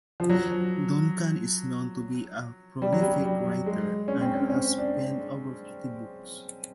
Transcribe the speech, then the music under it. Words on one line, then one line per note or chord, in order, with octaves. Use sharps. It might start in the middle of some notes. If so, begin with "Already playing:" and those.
Duncan is known to be a prolific writer and has penned over fifty books.
F3
F#3
G3
F#3
G3
G3
G#3
C#4
C4
C#4
C#4
D4